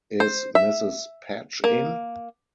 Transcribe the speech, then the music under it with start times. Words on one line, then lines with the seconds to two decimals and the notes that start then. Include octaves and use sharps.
Is Mrs. Patch in?
0.20 C5
0.55 E5
1.64 A#3